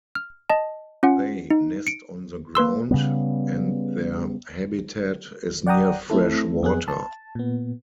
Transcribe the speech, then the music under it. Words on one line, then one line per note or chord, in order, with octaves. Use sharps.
They nest on the ground, and their habitat is near fresh water.
F6
D#5 A5
C#4 F4 F#5
D#4
C#7 D7
A#3 B4 C6 E6
C#3 G3 B3
D5 F#5 G5 A#5 D#6
A3 C4 E4 A4
F2 B3 G#4 F#6
A5
A#2 B3